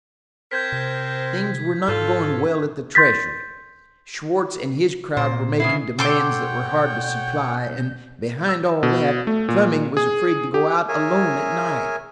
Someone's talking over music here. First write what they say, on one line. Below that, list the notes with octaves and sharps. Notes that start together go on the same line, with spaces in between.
Things were not going well at the treasury; Schwartz and his crowd were making demands that were hard to supply, and behind all that, Fleming was afraid to go out alone at night.
C4 A#4 C5 G6 G#6 B6
C3
G#2 F4 A4
C6 G6 A6 B6
A#2 C5
C#3 B3 E4 C7
B2 A4 C#5 F#5 G5 C6 D6 G6
E6
B2
A3
A#2
G#4
G4
G#4 A#4 C#5 E5 G#5